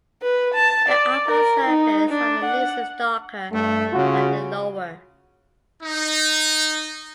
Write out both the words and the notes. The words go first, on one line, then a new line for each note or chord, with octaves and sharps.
The upper surface of the leaves is darker than the lower.
B4
A5
D5
A#4
D#4
D4
F#5
G2 A3
C#3 F4 F#4
D#4